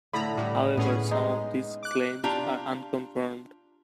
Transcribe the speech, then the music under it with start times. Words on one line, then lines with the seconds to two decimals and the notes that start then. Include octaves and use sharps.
However, some of these claims are unconfirmed.
0.13 A2 D3 A4 A#5 B5
0.37 A2 G3
0.77 A2 B3 C#4 G#4
1.11 G#3 D#4
1.83 D6 F#6
2.24 D4 F4 G4 A#5